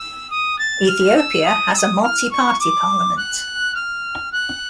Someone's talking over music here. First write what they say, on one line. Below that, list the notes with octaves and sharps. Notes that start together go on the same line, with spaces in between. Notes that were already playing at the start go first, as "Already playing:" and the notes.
Ethiopia has a multi-party parliament.
Already playing: E6
D#6
A6
F6
E6
D#6
E6
D#6
F6
C#6
D6
F#6
F6
F#6